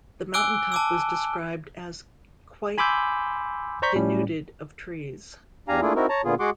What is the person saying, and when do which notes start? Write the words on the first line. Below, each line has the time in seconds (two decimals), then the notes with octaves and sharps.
The mountain top was described as quite denuded of trees.
0.34 G#5 D6 E6 F#6 D7 G7
0.72 A5 D6 E6
2.78 G#5 B5 C6 D6 E6 G6
3.82 C5 D5 A#5 C#6 G6 B6
3.95 A2 G3 C#4
5.68 E2 D4 G4 F5 G#5 A#5
5.81 A3 A#3 D4 E4 F4 G#4
5.96 C4 D#4 E4 F#4 A#4
6.09 C#5 A5 A#5
6.25 A#2 D3 B3 F4 G#4
6.40 G#3 F#4 G#4 F#5 C6 D6